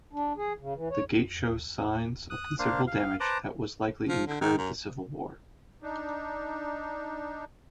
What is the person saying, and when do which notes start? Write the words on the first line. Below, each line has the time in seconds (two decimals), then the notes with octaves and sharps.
The gate shows signs of considerable damage that was likely incurred the civil war.
0.13 D4
0.37 G#4
0.60 C#3
0.75 E3
0.90 C#5
2.30 D#6 F#6
2.59 A#3 D4 C5 F5
2.87 F5
3.20 B4 C5 A5 A#5 D6
4.09 F3
4.27 D3
4.41 D#3
4.58 F#2
5.82 D4 D#4